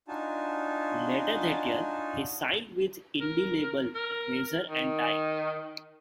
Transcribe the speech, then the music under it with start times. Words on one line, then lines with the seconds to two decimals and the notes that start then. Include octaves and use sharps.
Later that year, he signed with indie label Razor and Tie.
0.08 D4 D#4 F4 F#4 G#5 A5
3.21 A#4
3.95 A#4
4.69 D#3